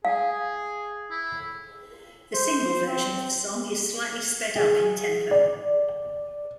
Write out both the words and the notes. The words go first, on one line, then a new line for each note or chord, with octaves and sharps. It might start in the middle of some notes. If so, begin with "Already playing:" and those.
The single version of the song is slightly sped up in tempo.
G#4 F5
E4
C5
C4
G#4
D5